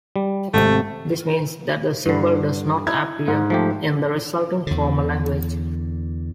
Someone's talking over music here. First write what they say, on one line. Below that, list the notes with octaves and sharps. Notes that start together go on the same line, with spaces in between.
This means that the symbol does not appear in the resulting formal language.
G3
G#1 C3 A3
G2 D3
D#4 E4 G#6
G#2
F3 A3 G4
E2 D3